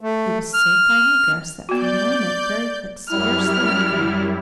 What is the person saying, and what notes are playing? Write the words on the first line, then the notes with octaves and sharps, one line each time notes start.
He was so finely dressed that, for a moment, Fairyfoot scarcely knew him.
A3
F6
B3 F#4 D5 G6
F#2 G3 E4 F6